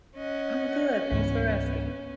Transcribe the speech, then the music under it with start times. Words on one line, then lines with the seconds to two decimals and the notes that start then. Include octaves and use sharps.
I'm good, thanks for asking.
0.17 C#4 D#5 F#5
1.11 C#2 G#2 E3 B3